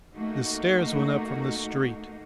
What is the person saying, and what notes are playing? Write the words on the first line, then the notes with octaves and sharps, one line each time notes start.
The stairs went up from the street.
A3 A#3 D#4 F#4